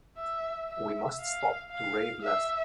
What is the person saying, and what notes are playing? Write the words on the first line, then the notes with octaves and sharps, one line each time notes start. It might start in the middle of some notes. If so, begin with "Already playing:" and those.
We must stop to rave less.
E5
E5
F5
F5
E5